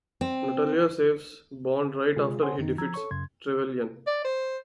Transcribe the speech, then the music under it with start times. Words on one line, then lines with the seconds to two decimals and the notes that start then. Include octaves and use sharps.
Natalya saves Bond right after he defeats Trevelyan.
0.21 C4
2.16 C3 G#3 F4 G#4
2.42 A4 C5 C#5 F#5 G#5 C6
2.58 F#2 D#3 D#4
2.78 F3 A#5 E6 G#6
2.94 A4 C#5 C#6
3.11 F#2 C#3 C6 G#6
4.07 D5
4.25 C5